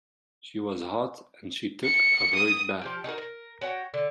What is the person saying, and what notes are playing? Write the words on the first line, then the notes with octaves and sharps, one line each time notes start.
She was hot, and she took a hurried bath.
C#7
D#6
F3 G4 G5
D#4 F#4 G#4 A#4
A#4
F#4 C#5 F#5 G5
D3